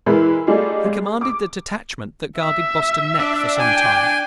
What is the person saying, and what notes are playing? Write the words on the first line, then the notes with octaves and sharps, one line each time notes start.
He commanded the detachment that guarded Boston neck, for some time.
E3 G#3 E4 A#4 B4
G3 A3 D4 D#4 F4 G#4
G#3
D6
E5
D4
G5 G#5